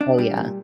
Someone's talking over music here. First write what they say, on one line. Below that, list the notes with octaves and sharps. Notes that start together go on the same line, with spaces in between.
Oh yeah.
D4
G3
A#2